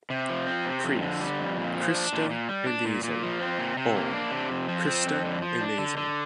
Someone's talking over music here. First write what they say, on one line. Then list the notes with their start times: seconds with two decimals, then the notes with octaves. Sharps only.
Priest: Christe, eleison. All: Christe, eleison.
0.10 C3
0.29 F3
0.47 C4
0.65 C3
0.84 F2
1.02 D3
1.21 G3
1.39 F2
1.57 A#2
1.75 F3
1.94 D4
2.13 A#2
2.30 A#2
2.49 G3
2.67 D4
2.85 A#2
3.04 A#2
3.23 F3
3.41 C4
3.58 A#2
3.77 C3
3.96 A#3
4.13 D4
4.32 C3
4.50 F2
4.68 F3
4.87 C4
5.06 F2
5.25 D3
5.42 F3
5.61 D4
5.79 D3
5.97 D3